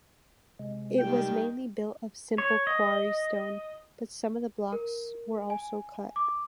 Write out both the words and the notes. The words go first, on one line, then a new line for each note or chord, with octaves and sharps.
It was mainly built of simple quarry stone, but some of the blocks were also cut.
C3 G#3
D#3 G3 G5
C#5
D#5
A#4
G#5
D6